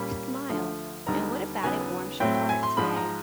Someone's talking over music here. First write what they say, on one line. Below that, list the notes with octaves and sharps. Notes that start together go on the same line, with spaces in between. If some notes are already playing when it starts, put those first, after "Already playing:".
smile, and what about it warms your heart today?
Already playing: A#2 G3 A#3 C#4 B5
D2 D3 F3 A3
D#2 D3 G3 B3 D#4 A#5
D#2 C#3 F#3 B3 G#5
A2 F#3 A3 C4 G5
G5
G#5
C6
G#2 F3 G#3 B5
A#5